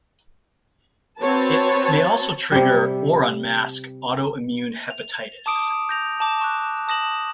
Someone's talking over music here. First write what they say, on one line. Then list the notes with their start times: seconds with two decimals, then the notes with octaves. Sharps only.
It may also trigger or unmask autoimmune hepatitis.
1.19 C4 F#4 B4 C#5 A5
2.52 C3 G3
4.90 F7
5.46 A5 D6 D#6 D7
5.89 G6 A#6 F7
6.20 A5 D6 E7
6.41 C#6 F#6
6.88 A5 D#6 A#6 E7 F#7